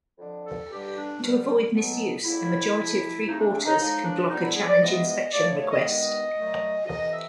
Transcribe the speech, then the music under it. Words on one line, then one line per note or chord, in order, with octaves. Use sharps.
To avoid misuse, a majority of three quarters can block a challenge inspection request.
F2 D3 F3
A4
G2 D3 G3 G4
D4
G2 D3 G3
B2 F#3 B3
F2 C#3 F#3 A#3 E4
F2 C3 F3
C3 F3 A3 C4 D#4
D4
D4
D#4
A2 F3 G#3 D#4
D4
F2 D3 G3 B3 D#4
E4
G#4
D5
G#2 E3 G#3 B3 D#5
D#5
A2 F3 A3 D5
C#5
C#5
D#5
G2 D#3 G#3 B3 D#5
A#2 F#3 A3
F2 C3 E3 D#5
E5